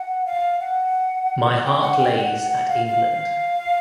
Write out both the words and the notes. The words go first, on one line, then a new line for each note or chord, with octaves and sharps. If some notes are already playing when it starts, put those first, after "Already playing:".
My heart lays at England.
Already playing: F#5
F5
F#5
G5
F#5
G5
F#5
F#5
F#5
F5
F5